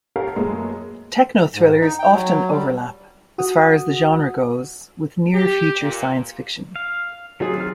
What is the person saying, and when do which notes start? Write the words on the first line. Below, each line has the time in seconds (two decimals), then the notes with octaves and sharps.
Techno-thrillers often overlap, as far as the genre goes, with near-future science fiction.
0.16 G4 A4 A#4 C#5 F5 F#5
0.36 F#2 A#2 G#3 A3 B3 A#4
1.55 G#2
1.81 D#4
1.99 G5
2.12 F#3
2.50 G3
3.38 F#4 F#5 D#6
5.34 G4
5.81 A#2
6.76 F5
7.40 D#3 F#3 C4 F4 G#4
7.60 F6